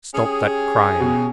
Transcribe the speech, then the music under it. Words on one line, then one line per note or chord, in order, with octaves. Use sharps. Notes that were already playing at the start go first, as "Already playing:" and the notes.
'Stop that crying.
C#4 G4 G#4
B2